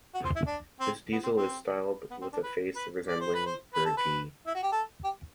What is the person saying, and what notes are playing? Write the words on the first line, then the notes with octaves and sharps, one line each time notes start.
This diesel is styled with a face resembling "Virgie".
F#4
C5
E4
D4
C4
B3
C4
C4
B3
C4
D4
B4
B4
D5
C5
B4
C5
B4
A4
B4
E4
F#4
G4
A4
G4